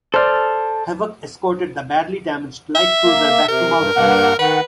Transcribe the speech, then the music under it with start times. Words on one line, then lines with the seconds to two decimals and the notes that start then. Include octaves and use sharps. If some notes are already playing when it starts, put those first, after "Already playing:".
"Havock" escorted the badly damaged light cruiser back to Malta.
0.14 A4 C5 D5 F6
2.75 E5
3.04 A#3
3.48 C3 A#4
3.78 G2
3.96 G2 A#3 F#5
4.39 D#3 B4 F#5